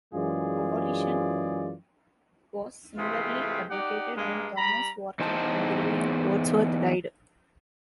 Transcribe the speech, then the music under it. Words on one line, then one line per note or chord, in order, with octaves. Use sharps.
Abolition was similarly advocated when Thomas Warton and William Wordsworth died.
F#2 E3 G#3 F4 G#4 D5
C3 E3 G#3 A3 C4 F4
D#4 G4 D5 F#5
G2 G#3 A#3
G3 A#5 B5
E2 D#4 C5 A5